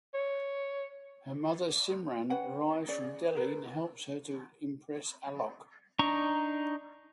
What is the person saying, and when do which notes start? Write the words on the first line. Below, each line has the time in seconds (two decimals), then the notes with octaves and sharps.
Her mother Simran arrives from Delhi and helps her to impress Alok.
0.14 C#5
2.30 C#4 B4 F#5 G5
2.88 C#4 G#4 C#5 D5
3.35 G#4 A#4 B4
5.99 D4 D#4 A#5 C#6